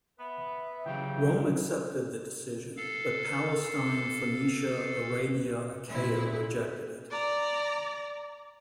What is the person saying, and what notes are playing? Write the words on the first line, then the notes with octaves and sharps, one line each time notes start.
Rome accepted the decision, but Palestine, Phoenicia, Arabia, Achaea rejected it.
B3 B4 E5
C#3 E3 F#3 G4 G5
A4 F5
A#2 E4
D5 A#5